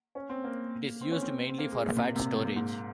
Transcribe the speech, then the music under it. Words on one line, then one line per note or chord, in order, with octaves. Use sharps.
It is used mainly for fat storage.
C#4
C4
A#3
C4
C#4
C4
C4
A#3
G#3
A#2
C3
A#2
C3
A#2
A#2
G#2